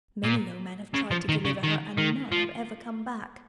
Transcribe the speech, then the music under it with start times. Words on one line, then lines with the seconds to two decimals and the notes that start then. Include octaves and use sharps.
Many young men have tried to deliver her, and none have ever come back.
0.24 A#2
0.94 C#3
1.11 F3
1.29 D#3
1.45 C#3
1.63 D#3
1.97 D#3
2.32 F3